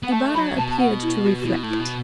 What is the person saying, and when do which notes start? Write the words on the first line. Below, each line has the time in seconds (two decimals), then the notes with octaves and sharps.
Ibarra appeared to reflect.
0.03 B3 F#5
0.12 A3 A5
0.34 F#3 B5
0.57 B2 A5
0.70 A5
0.79 F#5
1.02 E4
1.24 F#4
1.41 F#4
1.45 B2 E4
1.63 A2
1.68 E4
1.79 B2